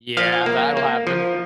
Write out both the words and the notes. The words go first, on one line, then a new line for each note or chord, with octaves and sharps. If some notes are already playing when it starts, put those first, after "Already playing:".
Yeah, that'll happen.
F3 F5
A#3
A#3
F3